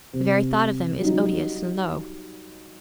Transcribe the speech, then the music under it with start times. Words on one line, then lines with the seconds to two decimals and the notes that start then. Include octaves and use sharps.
The very thought of them is odious and low.
0.13 C3
1.00 F#3 G3 D#4